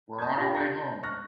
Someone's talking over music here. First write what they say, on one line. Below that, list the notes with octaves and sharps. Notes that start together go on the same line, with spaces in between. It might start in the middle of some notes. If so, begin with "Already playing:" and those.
We're on our way home.
A5 D#6 G6 G#6
F4 G4
G6 A#6
C#6 F6 F#6 A#6